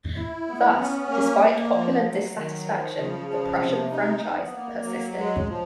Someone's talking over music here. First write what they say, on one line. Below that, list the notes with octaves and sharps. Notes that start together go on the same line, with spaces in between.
Thus, despite popular dissatisfaction, the Prussian franchise persisted.
E4
B3
C#4
A#3
A#3
F3
F#3
D#3
F3
C#3
F3
C3
D#4
B3
A#3
F#3
G#3
F3